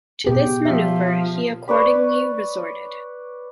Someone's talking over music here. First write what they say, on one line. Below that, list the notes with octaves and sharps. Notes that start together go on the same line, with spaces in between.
To this manoeuvre he accordingly resorted.
B2 G4 G#4
F3 E5
B4 C#5 D5 B5